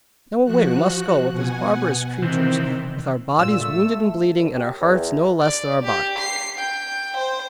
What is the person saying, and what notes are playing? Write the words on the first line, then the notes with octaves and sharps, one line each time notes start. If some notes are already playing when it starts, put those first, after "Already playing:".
Now away we must go with those barbarous creatures, with our bodies wounded and bleeding, and our hearts no less than our bodies.
F3 F#4 F#6
B2 F#5 G#5
C3 D#3 E3 C4
A#2 F4 E6
A3
F#2
G4
E2
D5
G4
C7
G5
C5